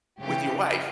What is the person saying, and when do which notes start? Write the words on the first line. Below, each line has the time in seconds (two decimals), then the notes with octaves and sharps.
With your wife.
0.22 C#3 E3 G4